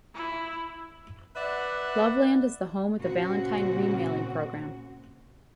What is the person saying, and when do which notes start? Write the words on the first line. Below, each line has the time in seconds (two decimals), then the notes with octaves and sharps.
Loveland is the home of the Valentine Re-Mailing Program.
0.14 E4
1.36 B4 D5 E5 F#5
2.99 A#2 C#3 C4 F#4